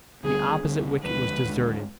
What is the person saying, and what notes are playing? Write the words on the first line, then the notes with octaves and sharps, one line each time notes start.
The opposite wicket was deserted.
D2 D3 G3 B3 G#4
D2 D3 G3 B3
D#2 D3 F3 G#3 B4
D#2 D3 F3 G#3